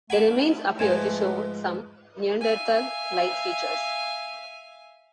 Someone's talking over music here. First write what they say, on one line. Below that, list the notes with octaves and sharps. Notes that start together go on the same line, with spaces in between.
The remains appear to show some Neanderthal-like features.
A3 F#5 G#5 B5 D6 E7
G#2 F3 B4 G#5 G#6 E7
E5 F5 G#5